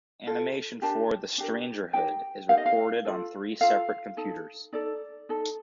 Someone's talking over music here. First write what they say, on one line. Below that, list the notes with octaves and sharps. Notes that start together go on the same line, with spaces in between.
Animation for "The Strangerhood" is recorded on three separate computers.
F4 A4
D4 G4 A#4 A5
D4 G4 A#4
D#4 G4 A#4 G5
D#4 G4 A#4 F5
D#5
F5
F4 A4
F4 A4 F5
D#4 A4
D#4 A4 D5
D#4 A4